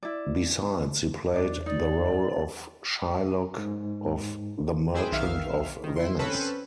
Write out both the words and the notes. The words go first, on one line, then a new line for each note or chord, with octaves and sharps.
Besides he played the role of Shylock of "The Merchant of Venice".
E4 D5
E2 D4 D#4 D5
D#4 D5
G#2
C4 E4 G#4 B4 C5 G5
B1 D#3 E5 F5 F6 C7
D#3
E4 C6
C4 C#4 A4 B4 C5